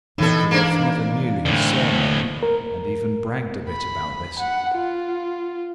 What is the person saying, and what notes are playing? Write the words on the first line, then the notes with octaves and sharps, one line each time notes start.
Nekhludoff never knew his surname, and even bragged a bit about this.
A2 E3 D#4 A4
A#3 D4
D2 A2
A#4
B5
F#5
F4